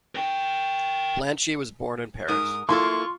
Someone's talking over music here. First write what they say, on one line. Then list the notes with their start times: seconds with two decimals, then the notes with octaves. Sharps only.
Blanche was born in Paris.
0.15 A#4 G5
2.28 G#2 A#4 D#6
2.69 A#3 E4 F4 A4 C6 C#6